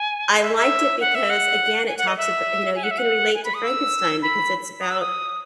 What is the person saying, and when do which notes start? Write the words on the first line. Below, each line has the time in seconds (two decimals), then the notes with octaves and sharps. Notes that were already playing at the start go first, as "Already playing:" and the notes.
I liked it because, again, it talks abo you know, you can relate to Frankenstein because it's about
Already playing: G#5
0.42 E5
0.56 E5
1.00 F#5
1.15 E5
1.30 F#5
1.88 G#5
1.98 F#5
2.08 D#5
2.17 E5
2.76 G#5
2.83 F#5
2.91 E5
2.98 F#5
3.35 G#5
3.44 B5
3.54 D#6
3.64 E6
4.22 B5
4.81 D#6
4.91 E6
5.01 D#6